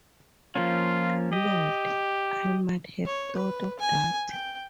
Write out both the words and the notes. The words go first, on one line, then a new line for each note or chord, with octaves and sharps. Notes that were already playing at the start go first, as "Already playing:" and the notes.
Lord, I might have thought of that.
F3 A#3 C#4 F4
G4 D#5
C#5
B4
G#5
G5